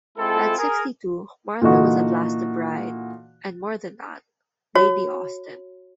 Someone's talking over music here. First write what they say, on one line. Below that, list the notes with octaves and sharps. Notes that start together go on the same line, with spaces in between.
At sixty-two, Martha was at last a bride, and more than that, Lady Austen.
G#3 C4 E4 F4 A4
G#4 A#4
A#2 D3 E3 D#4 F#4
F#4 C#5